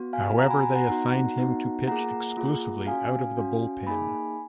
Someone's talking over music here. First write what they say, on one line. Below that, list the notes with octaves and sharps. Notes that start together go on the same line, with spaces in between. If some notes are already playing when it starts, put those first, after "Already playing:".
However, they assigned him to pitch exclusively out of the bullpen.
Already playing: B3 F#4
F5 G#5
B3 F#4 F#5 A#5
G#5 B5
F#5 A#5
B3 D#4 F#4 F#5 A#5
B3 D#4 F#4
A#3 F4 G#4 F#5 A#5
A#3 F4 G#4
C#4 F#4 F5 G#5
C#4 F#4
A#3 D#4 G#4 G#5 B5